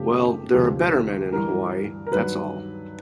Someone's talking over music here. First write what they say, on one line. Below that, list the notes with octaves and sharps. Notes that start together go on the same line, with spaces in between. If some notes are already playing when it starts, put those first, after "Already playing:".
Well, there are better men in Hawaii, that's all.
Already playing: F#2 C#3 F3 A3 G4
D2 C3 F3 G#3 G4
G2 E3 G3 A#4
A#4
G2 D#3 F#3 B4